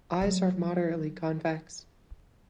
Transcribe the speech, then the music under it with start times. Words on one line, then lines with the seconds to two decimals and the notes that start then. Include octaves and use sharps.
Eyes are moderately convex.
0.21 F#3 A3